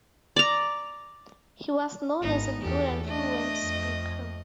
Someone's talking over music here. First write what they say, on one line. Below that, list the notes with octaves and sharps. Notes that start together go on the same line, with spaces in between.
He was known as a good and fluent speaker.
D5 A#5
G#1 B3 D#4
E2 G4 A4
A3 D4 D#5
F2